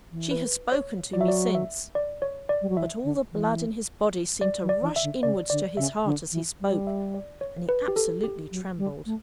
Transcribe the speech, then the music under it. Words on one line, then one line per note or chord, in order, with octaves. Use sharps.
She has spoken to me since.' But all the blood in his body seemed to rush inwards to his heart as he spoke, and he absolutely trembled.
E3
B4
C#5
F#3 D5
E5
D5
E5
D5
C#5
D5
G3
F#3
E3 E5
D3
E3
G3 D5
F#3
D5
E3
E5
D3
C#3 D5
D3 D5
C#3 E5
D3
E3
G3
E5
D5
C#5
B4
G4
A4
G4
F#3
G3
A3